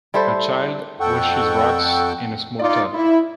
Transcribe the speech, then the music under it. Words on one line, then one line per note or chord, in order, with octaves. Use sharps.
A child washes rocks in a small tub.
G3 E4 A4 C5
F2 A4 F#5 G5 C#6
D#4 F4 D5
E4